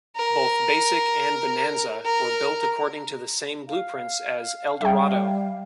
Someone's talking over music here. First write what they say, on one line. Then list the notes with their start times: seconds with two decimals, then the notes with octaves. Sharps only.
Both Basic and Bonanza were built according to the same blueprints as Eldorado.
0.16 A#4
2.05 A#4
3.69 F5
4.81 G3 E5 G5